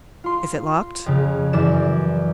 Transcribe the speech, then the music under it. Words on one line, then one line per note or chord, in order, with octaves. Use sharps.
"Is it locked?"
F4 C6
F2 C#3
F#2 E3 D5 E7